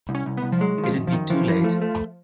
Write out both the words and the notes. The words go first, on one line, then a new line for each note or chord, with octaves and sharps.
It'd be too late.
C2
C#4
C2
B3
C2
F3
F#3 G#3
D#3
F3
F#2
F3
D#3
E3 F3
E3
A3
A3